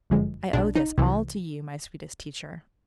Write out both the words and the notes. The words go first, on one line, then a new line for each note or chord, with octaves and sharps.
I owe this all to you, my sweetest teacher.
G1 F#2 D3 F3 G#3
B1 B2 G#3 D4
D#4
C2 C3 E3